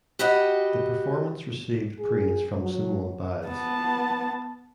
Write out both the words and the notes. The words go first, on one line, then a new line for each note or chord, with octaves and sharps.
The performance received praise from Simone Biles.
F#4 G4 B4 D#5 F#5
G#4
F#3
B3 A5